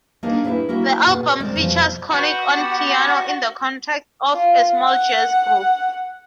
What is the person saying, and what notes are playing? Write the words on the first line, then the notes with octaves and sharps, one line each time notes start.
The album features Connick on piano in the context of a small jazz group.
A#3 D4 D#4 G#4 A#4
E4 G4 G#4 B4 D5
A#3 E4 F#4 A#4
B2 G#4
D2 G#3 C4 A#4 C5 D5
F2 B2 D3 F3
F#4 B4 G5 C#6
B3 G4 A5
F4
F#5